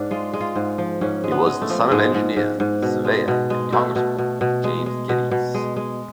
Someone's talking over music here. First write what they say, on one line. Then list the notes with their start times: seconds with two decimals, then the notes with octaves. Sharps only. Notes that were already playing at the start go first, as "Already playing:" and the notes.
He was the son of engineer, surveyor and Congressman James Geddes.
Already playing: G#2 D4
0.11 G#3 F4
0.33 G#3
0.41 F4
0.56 G#2
0.78 F3
1.01 G#2 C#4
1.24 G#3
1.31 B3
1.46 G#3
1.62 A3
1.69 F3
1.91 G#2 G#3
2.14 G#2
2.36 G#2
2.60 G#2
2.82 B2
3.05 G#3
3.28 B2
3.50 G#3
3.72 B2 A3
3.96 B2
4.18 B2
4.41 B2
4.64 G#3
4.86 G#3
5.09 B2
5.31 B2
5.54 G#3
5.76 G#3